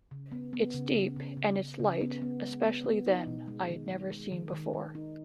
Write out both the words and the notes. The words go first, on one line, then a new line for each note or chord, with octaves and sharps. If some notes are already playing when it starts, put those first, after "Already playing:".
It's deep and it's light,' especially then, I had never seen before.
C#3
B3
B3
C#3
C#3
C#3
C#3
C#3
C#3
B3
B3
G#3
B3
B3
D#4
B2
G#3
D#3
G#3
G#3
D#3
D#3
D#3
D#4